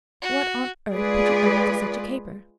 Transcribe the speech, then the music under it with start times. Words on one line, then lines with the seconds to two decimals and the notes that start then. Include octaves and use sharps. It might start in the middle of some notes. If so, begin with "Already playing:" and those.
What on earth put you up to such a caper?
0.22 F#4
0.93 G#3 F4 G#4 B4 D5